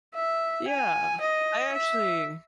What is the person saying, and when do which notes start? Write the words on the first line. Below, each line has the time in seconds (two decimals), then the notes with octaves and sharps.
Yeah. I actually
0.15 E5
0.68 G#5
1.21 D#5
1.73 E5